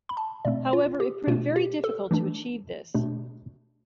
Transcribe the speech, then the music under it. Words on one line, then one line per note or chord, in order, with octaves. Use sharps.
However, it proved very difficult to achieve this.
B5
A5
B2 A3 C4 D5
F4
G4
B2 A3 D4 F4
G4
A4
E3 A3 D4
B2 A3 D4